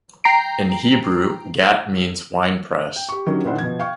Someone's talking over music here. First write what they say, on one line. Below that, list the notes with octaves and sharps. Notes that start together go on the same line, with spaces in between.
In Hebrew, "gat" means "winepress".
G5 A#5 C7 D7
G5
G4 C#6
D3 D#3 F#3 C#4 G4
A#2 D#3 D4 E4 C5 F#5
B2 F3 G#6
F5 G5 C#6